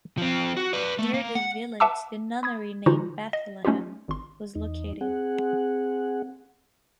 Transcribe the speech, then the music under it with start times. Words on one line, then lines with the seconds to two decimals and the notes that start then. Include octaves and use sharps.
Near the village the nunnery named Bethlehem was located.
0.18 F3 C4
0.57 F#4
0.73 B4 D5
0.99 A3
1.14 A#3
1.35 F#5
1.80 B4 E5 F#5 A5 D6 E6
2.43 B5 D#6 G#6
2.86 D3 E3 D#4 F4 F#4 C5
3.33 D#5
3.65 A3 C#4 D#4 F4 G4
4.08 G#1 C6
4.55 E2 D#4
5.01 C4 G#4 F#5